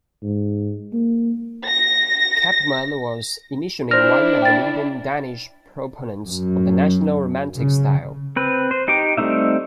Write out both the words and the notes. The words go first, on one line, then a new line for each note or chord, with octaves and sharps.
Kampmann was initially one of the leading Danish proponents of the national romantic style.
G#2
A#3
A#6
D4 E4 C5 F6 A#6
G5 A6
F#2
C#3
C4 B4
C5
D#4 G4 G5 D6
G3 A3 C4 D#4 E5